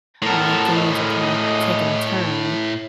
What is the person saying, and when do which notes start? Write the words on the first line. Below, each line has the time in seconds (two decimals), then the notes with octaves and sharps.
uh, things are kinda taking a turn.
0.22 A2 B3 A4 A#4
0.75 D2 G#3 D#5